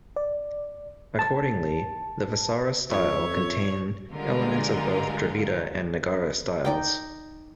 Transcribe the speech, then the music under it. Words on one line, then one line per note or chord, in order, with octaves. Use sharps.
Accordingly, the "Vesara" style contain elements of both Dravida and Nagara styles.
D5
A5
F2 C#5 E5
D3 G3 G#3 F4 A#4
D#4 D5 G5